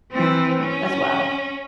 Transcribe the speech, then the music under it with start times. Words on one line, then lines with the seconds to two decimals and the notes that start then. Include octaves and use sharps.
as well?
0.12 E3 C4
0.61 C#4